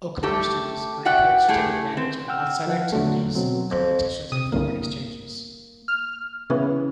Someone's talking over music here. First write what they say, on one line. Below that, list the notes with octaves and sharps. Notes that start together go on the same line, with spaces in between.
O'Connor students are encouraged to take advantage of outside activities, competitions and foreign exchanges.
A3 G4 A4
F#4 D5 E5 F#5 G5
A2 A3 G4 G#4
C4
F#5 G5 E6 F6
F3 F#5
E2 D3 F#3 A3
B2 F#3 C4
F2
C3 D#6
G1 C2 G2 A#3
F6
C#3 E3 B3 C#4